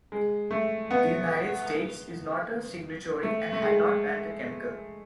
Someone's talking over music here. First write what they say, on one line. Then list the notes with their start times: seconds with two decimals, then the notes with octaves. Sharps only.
The United States is not a signatory and has not banned the chemical.
0.12 G#3
0.51 A3
0.91 B3
3.23 A3
3.52 A3
3.62 G#3